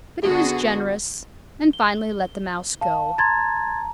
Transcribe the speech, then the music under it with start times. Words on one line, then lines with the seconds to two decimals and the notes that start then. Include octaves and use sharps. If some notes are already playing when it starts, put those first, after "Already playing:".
But he was generous and finally let the Mouse go.
0.24 D3 B3 F#4 G#4
1.73 G7
2.81 F5 A5
3.18 A#5 C6 G#6 A6